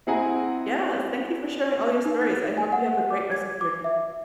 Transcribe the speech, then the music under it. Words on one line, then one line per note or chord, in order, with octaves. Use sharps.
Yes, thank you for sharing all your stories, I hope you have a great rest of your
C4 E4 G#4 F#5 G#5 A#5
D#4
A6
G#5
F#5
D6
G#6
D6
E5